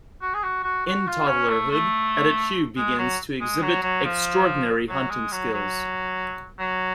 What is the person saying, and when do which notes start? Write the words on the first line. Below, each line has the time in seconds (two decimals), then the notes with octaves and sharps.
In toddlerhood, Edechewe begins to exhibit extraordinary hunting skills.
0.21 F#4
0.34 G#4
0.43 F#4
0.63 F#4
0.85 F#4
1.07 F4
1.27 C#4
1.49 A3
1.70 A3
2.77 G#3
2.98 F#3
3.41 G#3
3.62 F#3
3.83 F#3
4.04 F3
4.89 F#3
5.10 G#3
5.32 F#3
5.53 F#3
6.59 F#3